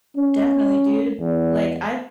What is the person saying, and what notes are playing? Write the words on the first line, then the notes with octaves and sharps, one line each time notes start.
Definitely, dude. Like I've
C#4
E2